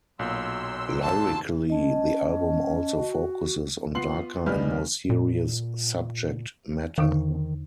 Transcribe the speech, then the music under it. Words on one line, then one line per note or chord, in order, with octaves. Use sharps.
Lyrically, the album also focuses on darker and more serious subject matter.
B1 A#2 F#3 C6 E6
A5
C#4 D#5 A5
F#4
B3 F4 C6 C7 F#7
F1 B1 G3 D#4 B4 F6
A#2
E2 D3 D#3 D#4